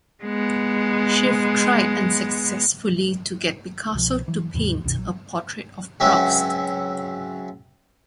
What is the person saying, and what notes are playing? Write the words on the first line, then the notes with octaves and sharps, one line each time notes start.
Schiff tried unsuccessfully to get Picasso to paint a portrait of Proust.
G#3 B3
C2 B2 D3 F3
E3 F#3
D#2 G#2 C3 E3
C2 F#2 B2 D#3
A#1 F#3
C#2 F#3 C4 C#4 E4 F#4